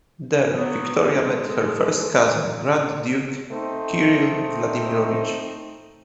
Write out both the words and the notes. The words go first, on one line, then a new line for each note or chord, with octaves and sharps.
There Victoria met her first cousin Grand Duke Kirill Vladimirovich.
F#3 B3
G#3 A4
A3 C4 D#4